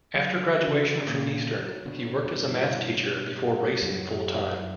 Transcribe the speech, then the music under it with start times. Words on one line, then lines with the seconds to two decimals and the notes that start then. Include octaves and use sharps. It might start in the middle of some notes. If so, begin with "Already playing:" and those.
After graduation from Eastern, he worked as a math teacher before racing full-time.
0.15 D3 F#3 F#4
0.41 F#4
0.67 C#3 E3 C#4
0.94 C#4
1.06 A#2 C#3
1.20 F#4
1.46 F#4
1.72 C#5
1.85 B2 D3
1.99 F#4
2.24 G2 B2 C#5
2.52 E4
2.78 C#5
3.04 G4
3.30 G4
3.56 G4
3.82 F#2 C#5
4.08 G4
4.35 E5
4.61 E4